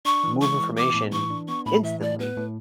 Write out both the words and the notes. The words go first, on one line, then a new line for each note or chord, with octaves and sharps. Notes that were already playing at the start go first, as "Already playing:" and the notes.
move information instantly,
D4 C#6
E3
G#3 C#6
E3
B3 D6
A2
E3 C#6
D4
B3 C#6
A2 B5
E3 E5
A2 D5
B3 B4
A2